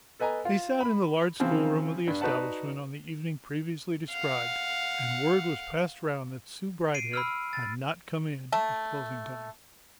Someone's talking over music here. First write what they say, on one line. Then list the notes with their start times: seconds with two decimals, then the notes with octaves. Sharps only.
They sat in the large school-room of the establishment on the evening previously described, and word was passed round that Sue Bridehead had not come in at closing-time.
0.20 A4 B4 D#5 G#5 A#5
0.45 F4
0.81 B5
1.40 C#3 E3 F3 C4
2.07 G2 D4
2.21 D#4 F#4 B4 D5 F#5 A5
4.12 F5 F#5
6.94 C7 D7 D#7
7.14 B5 E6 F6
7.53 A6
8.52 A3 A4